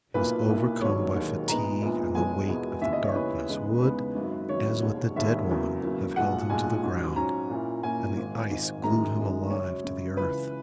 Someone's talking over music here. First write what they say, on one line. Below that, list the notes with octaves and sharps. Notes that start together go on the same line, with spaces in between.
He was overcome by fatigue, and the weight of the darkness would, as with the dead woman, have held him to the ground, and the ice glued him alive to the earth.
B1 A#2 A#3 E4 B4
B1 A#2 A#3 E4
E1 D#2 D#3 F#3 A#3 C#5
E1 D#2 D#3 F#3 A#3
A#1 A#2 G#3 B3 D#4 A#5
A#1 A#2 G#3 B3 D#4
E1 E2 B2 G#3 B3 G#5
E1 E2 B2 G#3 B3
D#2 C#3 E3 B3 E5
D#5
C#5
D#2 C#3 E3 B3 B4
E2 C#3 G#3 B3 D#4
E2 C#3 G#3 B3 D#4 B4
G#1 F#2 D#3 F#3
G#1 F#2 D#3 F#3 C#5
E1 D#2 D#3
E1 D#2 D#3 E5
E2 C#3 F#3 A#3
E2 C#3 F#3 A#3
B1 A#2 G#3 F#5
B1 A#2 G#3 G#5
G#2 F#3 C#4
G#2 F#3 C#4 A#5
A#2 A#3 C#4 E4
A#2 A#3 C#4 E4 G#5
G#1 G#2 D#3
G#1 G#2 D#3
F#2 D#3 G#3 A#5
F#2 D#3 G#3
F#2 C#3 F#3 C#5
F#2 C#3 F#3
C#2 C#3 E3 B4